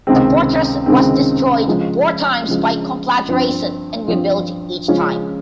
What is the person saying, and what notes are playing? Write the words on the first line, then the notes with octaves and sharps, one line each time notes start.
The fortress was destroyed four times by conflagration and rebuilt each time.
C#2 C3 D#3 G#3 C4
C#2 C3 D#3 G#3 C4
C#3 F3 G#3
C#3 F3 G#3
G2 F3 C4
G2 F3 C4
C#3 F3 G#3 C#4 F4